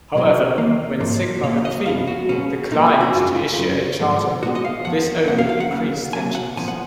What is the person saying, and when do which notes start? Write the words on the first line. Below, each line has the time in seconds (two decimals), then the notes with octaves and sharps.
However, when Sigma Phi declined to issue a charter, this only increased tensions.
0.15 B1 B2 F#3
0.58 D#2 D#3 A#3
1.00 G#2 F3 A#3
1.43 C#2 B2 A#3 C#5
1.65 D#5
1.86 F#2 F3 B3 F5
2.07 F#4
2.29 B1 B2 G#3 B3 C#4
2.71 B1 A#2 F3 G#3 D#4
2.86 F4
3.01 F#4
3.14 F#2 C#3 G#3 F4
3.36 F4
3.58 F#2 C#3 F#3
3.99 G#2 F3 G#3 B3
4.43 A#2 G#3 B3 F#4
4.55 D#5
4.65 F5
4.85 F2 F3 B3 F#5
5.28 F2 F3 A#3 F#5
5.38 F5
5.49 F5
5.60 F#5
5.71 D#2 C#3 F#3 A#3
6.13 B1 B2 F#3 A#3 G#5
6.35 F#5
6.56 A#2 F3 B3 G#5
6.68 F#5